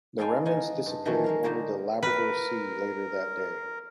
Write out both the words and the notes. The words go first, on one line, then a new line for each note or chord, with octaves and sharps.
The remnants dissipated over the Labrador Sea later that day.
D#4 G#4 A4 F5 G5 G#5
D#4 F4 F#5 G#5
G2
D#3 E3 F#3 A3 C4 C#4
G#3 A#4 F5
D3 G3 D#4 A#4 C5 C#5
A#4 B4